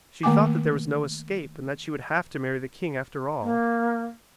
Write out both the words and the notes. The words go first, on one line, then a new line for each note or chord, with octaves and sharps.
She thought that there was no escape and that she would have to marry the king after all.
D#3 A3 A#3 G5 G#5 D6
A#3